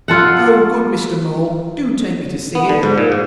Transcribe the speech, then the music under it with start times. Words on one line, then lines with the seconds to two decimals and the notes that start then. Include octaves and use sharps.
'Oh! good Mr. Mole, do take me to see it!'
0.08 F4 A4 F#5
2.55 B3
2.69 D3
2.83 G#2
2.98 A#2
3.12 G#2